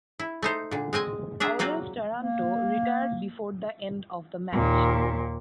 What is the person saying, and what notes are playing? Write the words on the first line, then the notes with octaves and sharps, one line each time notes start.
Audace Taranto retired before the end of the match.
E4
A3 D#4 C5
A#2 D3
G#3 C4 D#5 G#5
D4 G#4 E5 A#5
F#3 A#3 C4 F4 F#4
A#3
D#2 A#2